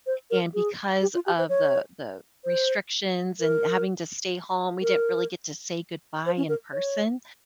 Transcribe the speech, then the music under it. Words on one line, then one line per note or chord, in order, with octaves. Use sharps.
and because of the the restrictions and having to stay home, we didn't really get to say goodbye in person,
C5
A#4
G#4
G4
F4
G4
C5
C#5
C5
A#4
A#4
C5
C#4
A#4
C#5